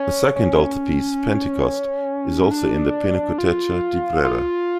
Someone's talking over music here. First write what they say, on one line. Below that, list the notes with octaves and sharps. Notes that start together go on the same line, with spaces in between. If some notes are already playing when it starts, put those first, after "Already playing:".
A second altarpiece, "Pentecost", is also in the Pinacoteca di Brera.
Already playing: C#4
C#4
D4
F4
F4